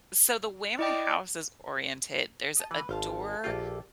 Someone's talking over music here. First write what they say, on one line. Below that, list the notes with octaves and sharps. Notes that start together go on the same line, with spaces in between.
so, the way my house is oriented, there's a door
E4 D5 D#5 G5
D#5 A5
E3 B4
G#1 C5 F5 A5
A#1 F4 G4 A4 D5